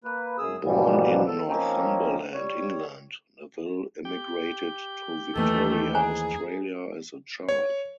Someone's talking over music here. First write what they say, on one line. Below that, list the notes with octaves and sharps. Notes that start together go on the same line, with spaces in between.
Born in Northumberland, England, Neville immigrated to Victoria, Australia as a child.
A#3 B4
F#2 G#4 D#6 E6
D#2 G#2 B2 E3 F3 G3
A4
F3 A#3 C4 C#4 D#4
G3 C#5
G4 G5
D#2 E3 A3 D#4
G#4 C5 G#5 A#5
C#5